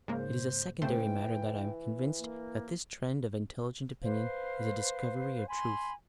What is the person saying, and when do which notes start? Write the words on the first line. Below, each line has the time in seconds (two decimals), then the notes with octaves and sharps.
It is a secondary matter that I am convinced that this trend of intelligent opinion is a discovery of truth.
0.08 G#2 C#3 A#3 C5
0.82 C#3 E3 A3 C5 G5
2.19 A#3
4.03 B4 C5 F5
5.48 G#5 B5 C6